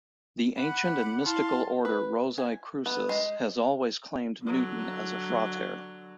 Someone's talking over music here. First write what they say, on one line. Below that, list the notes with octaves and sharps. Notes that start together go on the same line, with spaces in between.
The Ancient and Mystical Order Rosae Crucis has always claimed Newton as a frater.
F#5 B5 D6
E4 F5 A5 C6
B4
G#5
B3
G#3
D3 F#3